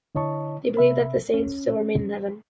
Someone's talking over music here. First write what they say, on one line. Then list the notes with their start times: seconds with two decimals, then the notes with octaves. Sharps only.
They believe that the saints still remain in Heaven.
0.15 D3 E4 C#5 D#5 A5 C#6
0.77 C3 E5 B5
1.34 C#4